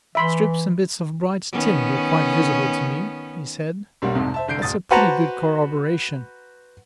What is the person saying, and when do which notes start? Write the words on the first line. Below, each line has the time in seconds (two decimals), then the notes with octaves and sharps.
"Strips and bits of bright tin were quite visible to me," he said. "That's a pretty good corroboration."
0.15 E3 E5 B5 C6
1.52 D#3 B3 C#4
4.02 B1 G3 A#3 F#5
4.15 C2 F2 G#2 C3
4.34 C5 E5 A5
4.48 C2 D3 G6 C7 D7
4.62 D1 D#6 A6
4.91 F#4 B4 C5 F#5 A5 A#5